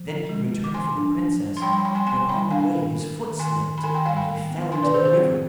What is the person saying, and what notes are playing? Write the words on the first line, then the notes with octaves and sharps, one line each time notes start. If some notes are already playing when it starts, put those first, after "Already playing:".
Then he returned for the princess, but on the way his foot slipped and he fell into the river.
Already playing: F3
D3
G#3
G#3
D6
F3 G#5 C6
D4
D4
F3
C6
G3 G5 B5
G5 B5
G3 G5 B5
G#5 C6
B3 G#5 C6
G3 G5 B5
D4 F5 G#5
D#3
D#3
D#3
D#3 G#5 C6
D#3
B5
D#3 G#5 C6
G5 B5
G3 F5 G#5
G5 B5
D#3
B3
D4 G#5 C6
B4 D5
D#3 G#4 C5
G#4 C5
C4